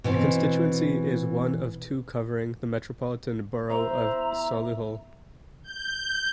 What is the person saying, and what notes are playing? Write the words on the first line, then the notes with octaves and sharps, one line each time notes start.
The constituency is one of two covering the Metropolitan Borough of Solihull.
B2 E3 C4
B3 E4 C5 E5 A#5
G6